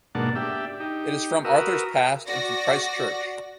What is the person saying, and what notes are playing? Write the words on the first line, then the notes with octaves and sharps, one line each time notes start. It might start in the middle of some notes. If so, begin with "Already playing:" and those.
It is from Arthur's Pass and from Christchurch.
G#2 B2 A#3 D4 F#5 A5
D4 G4 E5
D#4 G4
F#4 A#4 B4 D#6 E6
F#4 D5 A#6